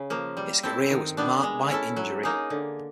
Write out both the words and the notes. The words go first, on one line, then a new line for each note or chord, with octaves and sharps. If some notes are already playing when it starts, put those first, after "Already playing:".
His career was marked by injury.
Already playing: C#3
F3 A#3
G3
C4 E4 A4
D#3
G3 B3 D4
G#3
C#4 E4 A4
F#3
A#3 D#4 G#4
D3